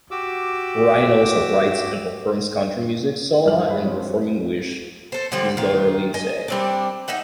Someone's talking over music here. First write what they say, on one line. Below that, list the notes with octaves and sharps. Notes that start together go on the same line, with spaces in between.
Ryan also writes and performs country music solo and performing with his daughter Lynsay.
F#4 G4 D6 E6
G2 F3 G4 E5 F6 F#7
G3 G#3 G#4 B4 C5
F3 G3 G#3 C4 C#4 C#5
A4 C5
D3 F3 G3 C4
D#3 F4
D#5 G#5
G3 C4 D4
D#4 D#5 E5 F#5